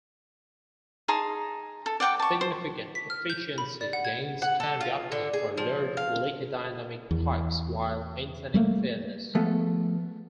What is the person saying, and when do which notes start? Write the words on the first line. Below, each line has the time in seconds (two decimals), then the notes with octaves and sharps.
Significant efficiency gains can be obtained for large leaky dynamic pipes, while maintaining fairness.
1.08 D#4 G#4 A5 C6
1.86 A4
2.00 D5 F#5 G5 D6
2.20 A5 C#6
2.41 C5
2.95 B6
3.10 F6
3.30 G6
3.58 B5
3.81 D5
3.93 F#5
4.05 G#6
4.42 F#5
4.60 A4
4.81 F4
5.12 D3
5.33 G#4
5.57 F3
5.97 F5
7.11 E2
8.54 G3 A3 A#3
9.35 F3 A3 B3 G#4 A4